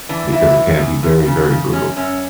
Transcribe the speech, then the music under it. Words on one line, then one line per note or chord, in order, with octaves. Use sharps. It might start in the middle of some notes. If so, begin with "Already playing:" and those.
because it can be very, very brutal.
E3 D4
E3 E4
A2
E2
E2
C#3
C#3
F#2 C#4
F#2 C#4